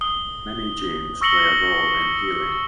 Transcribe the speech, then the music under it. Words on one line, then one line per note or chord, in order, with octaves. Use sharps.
Many genes play a role in healing.
D#6 G7
C#6 E6 A#6 C#7 F#7 G7